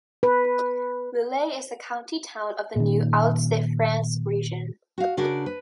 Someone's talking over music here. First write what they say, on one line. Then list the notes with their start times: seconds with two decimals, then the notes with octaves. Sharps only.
Lille is the county town of the new Hauts-de-France region.
0.23 B4
2.76 A#2 D#3
4.98 F#4 F5
5.17 C#3 D4 F#4 A#4
5.46 B4